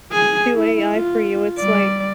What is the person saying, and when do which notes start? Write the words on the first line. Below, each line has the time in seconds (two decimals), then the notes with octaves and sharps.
do AI for you, it's like
0.12 G#4 G#5
0.55 E4
0.95 F4
1.58 G3 D5